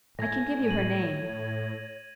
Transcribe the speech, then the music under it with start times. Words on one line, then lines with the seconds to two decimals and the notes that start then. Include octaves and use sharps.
I can give you her name.'
0.19 A2 G#5 G#6 A#6
0.68 D#7 F#7
0.95 C#5